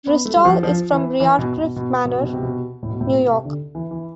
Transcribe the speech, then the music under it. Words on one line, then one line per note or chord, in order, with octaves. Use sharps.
Ryssdal is from Briarcliff Manor, New York.
B3
A3
G3
F3
F3
E3
E3
B2
B2
B2
B2
C3
B2
C3
B2
A2
B2
A2
B2
C3
D3
E3
E3